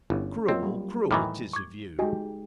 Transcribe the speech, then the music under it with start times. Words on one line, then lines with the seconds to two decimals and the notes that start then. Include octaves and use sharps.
"Cruel, cruel, 'tis of you!"
0.10 G1 C#4 E4
0.48 F#3 A#3 C4 F4 C#5 D#5
0.63 G3
1.11 A2 D#3 E3 C#6 D6 F6
1.53 C#6 D6 G#6
1.99 G#3 D#4 F#4 G4 D#5 G#5